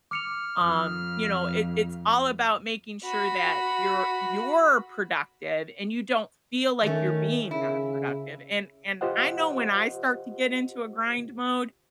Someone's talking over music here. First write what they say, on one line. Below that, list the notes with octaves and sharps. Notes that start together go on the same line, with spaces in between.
um, you know, it it's all about making sure that you're you're productive, and you don't feel like you're being nonproductive, and and I know when I start to get into a grind mode,
D6 F6 C#7 F7
F2 D#6
F#4 B5
D#3 A3 C#4
C#3 E4
F4 G4 C5 D#5 F#5